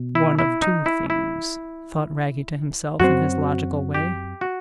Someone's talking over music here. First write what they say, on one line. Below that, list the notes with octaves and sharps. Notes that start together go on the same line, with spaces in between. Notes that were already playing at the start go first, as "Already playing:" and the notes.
"One of two things," thought Wragge to himself, in his logical way.
Already playing: B2
E4
E4
D#4
E4
E4
F#2 F#3 C4 F#4
G4
F#4